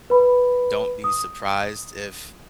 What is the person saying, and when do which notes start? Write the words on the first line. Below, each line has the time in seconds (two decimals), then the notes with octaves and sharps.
don't be surprised if
0.10 B4 B5
1.04 D#6